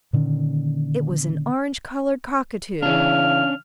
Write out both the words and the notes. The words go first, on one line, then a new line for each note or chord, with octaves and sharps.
It was an orange-coloured cockatoo.
A#2 D3 D#3 C#4
C#3 E3 C#4 D4 F5 F6